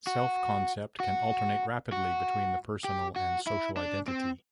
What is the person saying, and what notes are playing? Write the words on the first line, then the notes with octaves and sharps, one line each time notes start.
Self-concept can alternate rapidly between the personal and social identity.
F#4
F#4
F#4
G4
F#4
E4
D4
C4